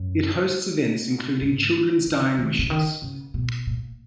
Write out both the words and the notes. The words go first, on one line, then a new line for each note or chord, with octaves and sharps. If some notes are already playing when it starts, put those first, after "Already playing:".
It hosts events including children's dying wishes.
Already playing: F#2
G#2
D#3
D#3
C#3
D#3
C#3
B2
A#2